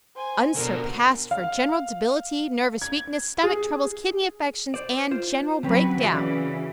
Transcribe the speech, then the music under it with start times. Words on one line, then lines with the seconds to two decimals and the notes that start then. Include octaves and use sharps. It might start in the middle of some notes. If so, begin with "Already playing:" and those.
UNSURPASSED for General Debility, Nervous Weakness, Stomach troubles, Kidney affections and General Break-Down.
0.15 C5 G#5
0.56 B2 D3 A#4
1.31 F5
2.82 G#6
3.43 G#4
4.74 C5 D5
5.11 F4 C5
5.63 D3 F#3 C4 C#4 B4
6.01 C#3 E3 F#4 D5 F5